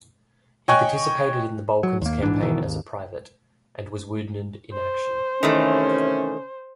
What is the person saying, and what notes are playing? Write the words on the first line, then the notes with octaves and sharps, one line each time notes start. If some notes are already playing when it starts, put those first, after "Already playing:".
He participated in the Balkans Campaign as a private, and was wounded in action.
C#5 D#5 G5 G#5 C#6 F#6
F#3
D#2 A#3
A#1 G#2 E3 D4
E2 B2 D#3 E3
G#1 D#2
C5
C3 D#3 E3 A3 C#4